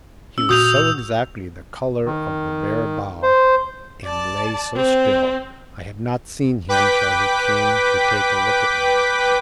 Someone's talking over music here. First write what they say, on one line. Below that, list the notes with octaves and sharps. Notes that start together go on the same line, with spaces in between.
He was so exactly the colour of the bare bough, and lay so still, I had not seen him till he came to take a look at me.
C#4 E6
A#2 F#4 C#6 D#6 G6 F7
D#3
C5
D5 A5
C4
B4 G5 D6 B6